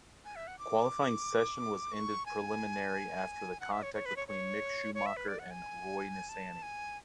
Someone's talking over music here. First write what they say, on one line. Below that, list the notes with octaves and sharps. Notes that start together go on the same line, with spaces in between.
Qualifying session was ended preliminary after the contact between Mick Schumacher and Roy Nissany.
G#5
E5
F#5
D6
C#6
G#5
F#5
E5
C#5
C#5
B4
C#5
C#5
C#5
E5
B4
D5
F#5
G#5
A5
G#5